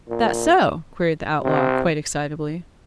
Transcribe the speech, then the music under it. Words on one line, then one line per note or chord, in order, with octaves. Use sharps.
"That so?" queried the outlaw, quite excitably.
A#2
C3